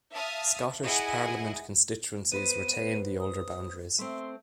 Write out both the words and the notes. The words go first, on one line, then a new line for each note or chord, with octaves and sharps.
Scottish Parliament constituencies retain the older boundaries.
E5 F5 A5 D#6 F6
E4 G#4 D#5 F#5 G#5
B3 B4 C5 D#7
D#6
A3 C4 C6